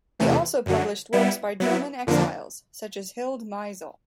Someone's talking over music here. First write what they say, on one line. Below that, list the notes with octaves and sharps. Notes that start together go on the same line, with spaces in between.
He also published works by German exiles, such as Hilde Meisel.
E2 C3 E3 A3
F#2 D3 F#3
G3 B3 E4
F#3 B3 E4
F2 D3 F3 A#3 D4